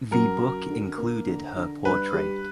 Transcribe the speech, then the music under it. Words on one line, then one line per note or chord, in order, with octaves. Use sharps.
The book included her portrait.
F#2 A#4
F#3
D3
A#3
D3
D3
G2 B4
G3